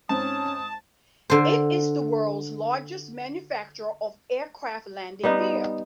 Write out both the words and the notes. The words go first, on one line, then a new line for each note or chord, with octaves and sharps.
It is the world's largest manufacturer of aircraft landing gear.
G#2 C4 C#4 A5 D#6
D3 C5
G3 B3 D#4